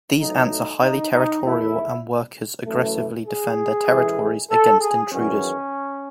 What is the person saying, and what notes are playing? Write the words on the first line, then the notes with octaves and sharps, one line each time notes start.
These ants are highly territorial and workers aggressively defend their territories against intruders.
B1 A2 F#3 A3 D#4
D#4
D#4
E2 D#3 A3 E4
F#2 E3 A3
G#4
A1 A2 E3 G#3
A4
G#4
E2 D#3 F#3 B3 C#4